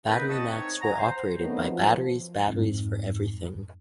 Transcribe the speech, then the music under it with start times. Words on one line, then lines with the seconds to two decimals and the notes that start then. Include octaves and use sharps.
BatteryMax were operated by Batteries Batteries for Everything.
0.07 A#3 C4 D#4 G4 B4
0.28 E2 C4 F#4 D#5 A5
0.51 C4 D#4 C#5
0.81 F#5 G#5 A#5
0.99 C5
1.39 D3 D#3 F#3 A3 B3 C4
1.70 F3
2.47 F2 G#2